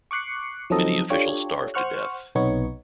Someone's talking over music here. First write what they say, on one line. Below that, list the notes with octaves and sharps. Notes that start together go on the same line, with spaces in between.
Many officials starved to death.
C#6 D6 F#6 C7 C#7
F3 F#3 C4 D#4 A4 D#5
D4 F4 G4 A4 C#5
C5 F#5 C#6 F6 F#6
B1 C3 B3 D#4 C#5 C#6